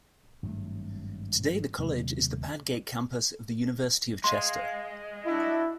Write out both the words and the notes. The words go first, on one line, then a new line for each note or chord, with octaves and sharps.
Today the college is the Padgate Campus of the University of Chester.
G#1 G2 F#3 A3
D#2 C3 F#3 A3
G#3 D#5 F5 C6
D4 E4 F#4 D#5